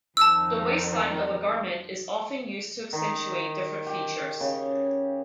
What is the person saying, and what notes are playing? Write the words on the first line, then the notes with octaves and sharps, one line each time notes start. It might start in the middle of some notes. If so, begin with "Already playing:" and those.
The waistline of a garment is often used to accentuate different features.
F2 D#3 A5 E6
D#3
G4
C#3